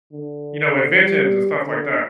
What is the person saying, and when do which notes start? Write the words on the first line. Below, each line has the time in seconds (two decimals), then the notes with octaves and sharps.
you know, inventions and stuff like that.
0.13 D3
0.66 D3
1.00 G3
1.64 D3